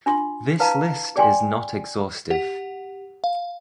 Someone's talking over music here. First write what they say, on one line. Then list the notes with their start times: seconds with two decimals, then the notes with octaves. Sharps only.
This list is not exhaustive.
0.06 D4 F4 C6
0.60 E4 B4 F5 A5 A#5
1.16 G#4 D5 G5 G#5 C6
2.30 G4 F#5
3.24 F5